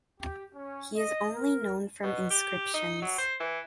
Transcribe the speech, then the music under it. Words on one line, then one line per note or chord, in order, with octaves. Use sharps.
He is only known from inscriptions.
G4
C#4
D#5
A#4
B2
G4
D#4
F#3
C5
E3